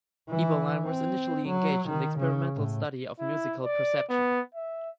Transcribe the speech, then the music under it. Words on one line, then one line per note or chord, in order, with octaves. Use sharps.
Eberlein was initially engaged in the experimental study of musical perception.
E3
C4
F#3
D#3
C#3
A2
E4
D5
B3
E5